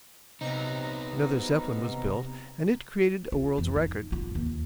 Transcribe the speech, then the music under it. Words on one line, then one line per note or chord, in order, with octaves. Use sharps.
Another Zeppelin was built and it created a world's record.
C3 B3 D#4 A#5
F4
F2 E3
D#4
D1 F4
D#2